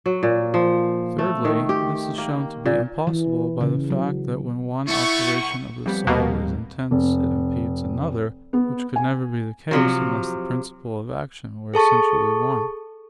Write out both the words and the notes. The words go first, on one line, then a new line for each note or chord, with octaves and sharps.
Thirdly, this is shown to be impossible by the fact that when one operation of the soul is intense it impedes another, which could never be the case unless the principle of action were essentially one.
F#3
A#2
F3
A3
D#3
G4
A#3
A#2
E3
C#3
F#3
B1 A3 B3 E4 A4 F#5 C#6
F2 G3 B3
D#1 B2 A#3
F1
B3
G#5
C3 F3 F#3
G#4 A4 A5 C#6